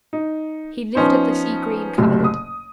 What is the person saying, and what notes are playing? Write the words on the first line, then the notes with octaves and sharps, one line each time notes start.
He lifted the sea-green coverlet.
D#4
F3 B3 C#4 D#4 C5
F#1 F#2 A2 C3
D#6